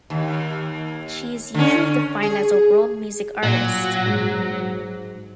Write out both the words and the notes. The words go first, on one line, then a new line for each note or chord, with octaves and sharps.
She is usually defined as a world music artist.
D#2
D3 C#4
G#4
A#2 F#3
G#2